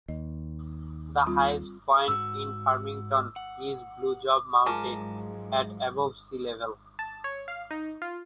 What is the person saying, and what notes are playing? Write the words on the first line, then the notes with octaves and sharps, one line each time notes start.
The highest point in Farmington is Blue Job Mountain, at above sea level.
D#2 D#5
G3 C4 F4
G#2 F#4 E6
F#5
G#2 F3 F#3 G#3 A#4 G#5 A5 D6
A5
C#5
F5
D#4
F4